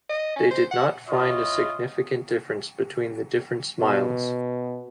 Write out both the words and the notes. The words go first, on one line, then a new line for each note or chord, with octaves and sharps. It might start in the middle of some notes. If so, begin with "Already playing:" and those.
They did not find a significant difference between the different smiles.
D#5
C#4
C5
F#5
E4 F4 C#5 D#5
B2